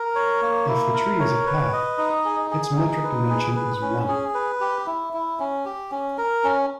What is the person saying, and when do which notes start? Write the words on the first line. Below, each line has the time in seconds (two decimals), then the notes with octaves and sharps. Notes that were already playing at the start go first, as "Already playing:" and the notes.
If the tree is a path, its metric dimension is one.
Already playing: A#4
0.15 C#5
0.42 A#3
0.68 E4
0.94 A#4
1.20 C#5
1.46 B4
1.73 D#5
1.98 D#4
2.25 G#4
2.51 G#4
2.77 D#4
3.04 B4
3.30 G#4
3.56 B4
3.82 C#4
4.08 G#4
4.34 B4
4.61 G4
4.86 E4
5.13 E4
5.40 C#4
5.65 G4
5.91 C#4
6.18 A#4
6.44 C#4